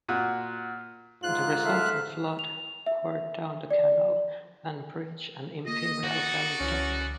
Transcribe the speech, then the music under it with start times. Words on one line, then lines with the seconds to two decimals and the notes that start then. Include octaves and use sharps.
The resulting flood poured down the canal and breached an Imperial Valley dyke.
0.09 A#2 F#4
1.23 G#2 F4 F#6
1.66 A3 E5 F5
2.39 F7
2.86 E5
3.71 D5
5.65 A#3 F4 D#5
6.04 D#4 F#4 D5
6.60 C#2 D3 E3 C#4